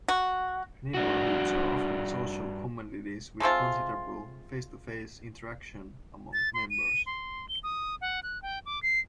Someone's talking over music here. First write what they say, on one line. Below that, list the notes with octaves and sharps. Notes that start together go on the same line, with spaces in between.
Neighbourhoods are often social communities with considerable face-to-face interaction among members.
F#4
G2 D4 F#4
G#3 A3 C4 F4
A6
C6
D#7
C6
G7
D#6
F#5
F#6
G5
D6
C7